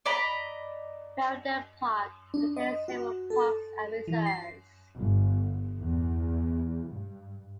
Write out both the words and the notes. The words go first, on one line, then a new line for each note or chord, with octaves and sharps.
Ferryden Park contains several parks and reserves.
D5 D#5 A#5 B5
D4
D#5
F#4
A4
E3
C7
G1
E2
G2